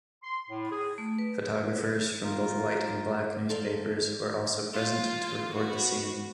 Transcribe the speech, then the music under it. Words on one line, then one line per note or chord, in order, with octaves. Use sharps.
Photographers from both white and Black newspapers were also present to record the scene.
C6
A2
G#4
A3
B4
F4 A#4
A4 A#4 C5 D5 F5
F4
B3 F#4